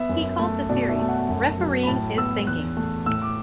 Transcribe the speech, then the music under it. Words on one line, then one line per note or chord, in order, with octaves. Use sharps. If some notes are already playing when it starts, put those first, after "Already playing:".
He called the series, Refereeing is thinking.
Already playing: B3 E5
F#2
A3
B2 D5
E5
A3
F#5
F#2
F#3
B5
A2 A5
B3 E6
E2 F#6
A3
A2 E6
D6